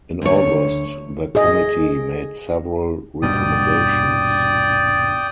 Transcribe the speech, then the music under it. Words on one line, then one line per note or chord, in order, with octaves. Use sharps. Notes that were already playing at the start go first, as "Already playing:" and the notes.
In August, the committee made several recommendations.
D2 C#5
G#4 D#5
D#1 G2 B2 D5 G5 D#6